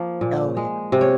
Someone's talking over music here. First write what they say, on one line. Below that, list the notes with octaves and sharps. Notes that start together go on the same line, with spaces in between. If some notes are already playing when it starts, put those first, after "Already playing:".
Oh, yeah.
Already playing: F3 A#3
A#2
G#3
C3
C#5